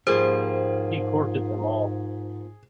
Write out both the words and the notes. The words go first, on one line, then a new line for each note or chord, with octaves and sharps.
He courted them all.
G#2 F3 G3 A#3 G#4 C5